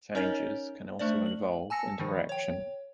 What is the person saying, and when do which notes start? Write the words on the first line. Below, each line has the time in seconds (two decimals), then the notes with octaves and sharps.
Changes can also involve interaction.
0.15 C#4 D#4 A#4 C#5 D#5
0.99 A3 D4 C5 D5
1.26 F#7
1.70 G#5 A5 E6 A#6 C#7
1.99 D#3 F3
2.29 C#5 G5